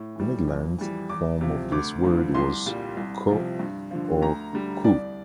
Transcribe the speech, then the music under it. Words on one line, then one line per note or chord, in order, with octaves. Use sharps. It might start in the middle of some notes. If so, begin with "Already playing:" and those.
The Midlands form of this word was "co" or "coo".
Already playing: A2
E3 G3
F2
E3 G3
E2 D6
C3 F3
D2 D6
D3 F3
C2 C6
A#2 G3
C2
C3 F3
G2
D3 F3
D2 A#5
D3 G3
C2 D5